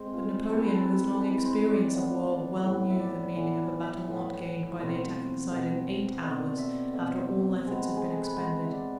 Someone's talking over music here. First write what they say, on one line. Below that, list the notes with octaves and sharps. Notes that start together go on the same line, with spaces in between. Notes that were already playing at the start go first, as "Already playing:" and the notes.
But Napoleon with his long experience of war well knew the meaning of a battle not gained by the attacking side in eight hours, after all efforts had been expended.
Already playing: G#3 C4
F4
E3 G#3 C4 A4
B4
A4
A4
E3 G#3 C4 B4
C5
D5
A2 E3 B3 E5
A2 E3 B3 E5
E5
D5
A2 E3 B3 E5
E5
A2 E3 B3 E5
B2 A3 C4 F5
B2 A3 C4
B2 A3 C4 D5
E5
B2 A3 C4 E5
C3 G#3 B3
G#4
A4
B4
C3 G#3 B3 C5
E5
D5